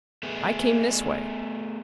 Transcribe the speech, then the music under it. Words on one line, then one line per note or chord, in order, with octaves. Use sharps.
I came this way.
A3 B3 G#4